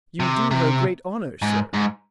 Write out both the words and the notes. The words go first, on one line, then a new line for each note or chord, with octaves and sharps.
"You do her great honour, sir."
C3
C3
G#2
G#2